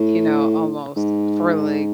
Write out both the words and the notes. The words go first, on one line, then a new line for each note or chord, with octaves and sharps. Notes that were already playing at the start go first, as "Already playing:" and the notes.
you know, almost for, like,
Already playing: A2
G#2